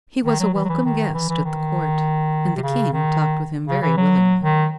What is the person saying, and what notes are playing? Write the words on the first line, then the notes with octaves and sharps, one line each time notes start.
He was a welcome guest at the Court, and the King talked with him very willingly.
D#3
F#3
E3
F#3
E3
D#3
E3
E3
D#3
C3
C#3
D#3
C#3
E3
F#3
D#3